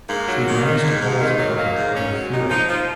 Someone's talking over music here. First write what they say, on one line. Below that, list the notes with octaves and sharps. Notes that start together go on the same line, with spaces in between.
She runs to Paul's apartment out of fear.
G#2 A#3
F#3
D#3
D#3
G#2
G#2
D#3
F#3
D#3 A#3
G#2
G#2 C#4
F#3
A#2 D#4
F3 D#4
F3